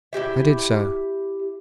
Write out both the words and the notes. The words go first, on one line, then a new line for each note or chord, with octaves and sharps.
I did so.
E4 F#4 G4 E5